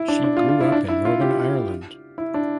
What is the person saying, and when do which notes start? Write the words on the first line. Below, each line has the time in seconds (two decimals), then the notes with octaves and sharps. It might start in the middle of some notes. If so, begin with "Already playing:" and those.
She grew up in Northern Ireland.
Already playing: E4
0.08 D4
0.24 D4
0.37 F4
0.49 F4
0.60 E4
0.72 D4
0.88 E4
1.05 F4
1.21 G4
2.18 E4
2.34 D4